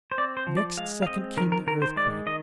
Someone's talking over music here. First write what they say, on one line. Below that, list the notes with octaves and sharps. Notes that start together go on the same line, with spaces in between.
Next second came the earthquake.
C5
C4 D5
C5
F3
D5
G#3 F5
F5
C4 D#5
D#3 A#4
A#4
D#3 A#4
C5
G#3 D5
D#3 D#5